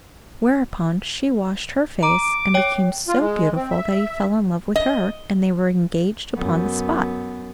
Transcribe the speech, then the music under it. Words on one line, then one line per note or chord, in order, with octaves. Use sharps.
Whereupon she washed her face, and became so beautiful that he fell in love with her, and they were engaged upon the spot.
A#5 D6
C#5 G5
F4
G#3
C4
E5
D#5
F#2 B3